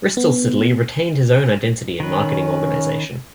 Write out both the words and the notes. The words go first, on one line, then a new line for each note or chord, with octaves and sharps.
Bristol Siddeley retained its own identity and marketing organization.
B3
D#3 C#4 B4